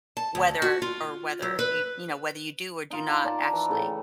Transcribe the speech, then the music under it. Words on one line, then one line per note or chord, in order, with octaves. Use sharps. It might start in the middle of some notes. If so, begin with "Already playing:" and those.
whether or whether you you know whether you do or do not actually
A5
D2
F#4
F4
F#3
B4
D#4 F4 A#4
A#4 D5 A5 A#5
E3
A2 C#3